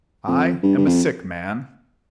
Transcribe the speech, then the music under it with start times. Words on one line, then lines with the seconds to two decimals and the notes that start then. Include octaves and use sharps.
I am a sick man....
0.28 F2
0.63 G2
0.77 G2
0.86 F2